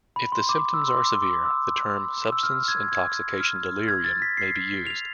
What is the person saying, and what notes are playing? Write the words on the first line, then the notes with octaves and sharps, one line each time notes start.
If the symptoms are severe, the term "substance intoxication delirium" may be used.
B5
C6
D6
E6
C6
D6
D6
E6
E6
F6
G#6
G#6
F6
G#6
A6
B6
C7
F7